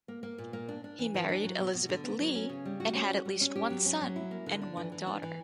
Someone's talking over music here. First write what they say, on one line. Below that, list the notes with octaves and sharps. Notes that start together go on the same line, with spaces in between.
He married Elizabeth Lee and had at least one son and one daughter.
A#3
A#3
A#2
A#3
D4
D4
E3
E3
D4
F#3
B2
B2
D3
B3
F#3
C#4
C#3
G3
F#4
C#4
F#4
G3
C#4
G4
F#3
C#4
F#3
E4
A#3
D3
D4
E3
E3
D4
E3